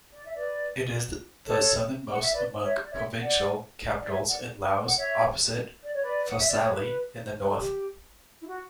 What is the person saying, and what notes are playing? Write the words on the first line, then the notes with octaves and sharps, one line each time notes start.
It is the southernmost among provincial capitals in Laos opposite Phongsali in the north.
D5
E5
B4 D5
A4 C#5
F#5
E5
B4 D5
C#5 E5
D5
C#5 E5
D5 F#5
D5
C#5 E5
D5 F#5
F#5
C#5 E5
D5
C#5
B4 D5
F#5
E5
D5
C#5
B4
B4
A4
G4
E4
F#4